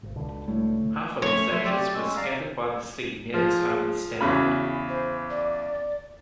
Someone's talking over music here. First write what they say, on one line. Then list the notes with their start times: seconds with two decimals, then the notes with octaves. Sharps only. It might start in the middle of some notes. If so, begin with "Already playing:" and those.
Half of his ashes were scattered by the sea near his home in Stamford.
0.03 G#1
0.15 C#2 B2 D3
0.48 A2
1.22 A3 C#4 C#5
1.52 F#3 E5 C6
1.65 G4 D5
1.95 G#3 C#4 E6
2.17 D5 F5 A#5
3.34 F3 G#4
4.21 E2 C#3 F#4 B5
4.89 C5
5.30 D5